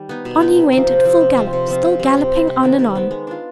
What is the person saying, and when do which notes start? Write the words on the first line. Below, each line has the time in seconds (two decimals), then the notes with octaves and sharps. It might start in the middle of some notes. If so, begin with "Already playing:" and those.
On he went at full gallop, still galloping on and on.
Already playing: D#3 G3
0.09 B3 D#4
0.25 B2
0.41 B3 D#4
0.56 C3
0.73 F3 C4
0.88 C3
1.05 F3 C4
1.21 C3
1.37 F3 C4 F4
1.53 C3
1.68 F3 C4 F4
1.85 C3
2.00 G3 C4
2.16 C3
2.32 G3 C4
2.47 C3
2.63 D#3 B3
2.79 C3
2.95 D#3 B3
3.11 G#3
3.27 D4 F4